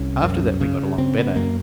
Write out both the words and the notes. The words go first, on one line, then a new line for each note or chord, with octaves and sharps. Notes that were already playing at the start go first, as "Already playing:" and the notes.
After that we got along better.
Already playing: C2 C#4
F#2
C#3
C#3 C4
B3
F#2 A#3